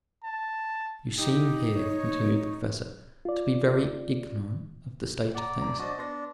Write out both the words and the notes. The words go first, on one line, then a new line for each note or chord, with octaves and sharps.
"You seem here," continued the professor, "to be very ignorant of the state of things."
A5
D#4 G4
C#5
F4 D5
D5 F#5 A#5
E1 A#5
D4 F#4 C5 D5 D#5
B3 D4 C6 A#6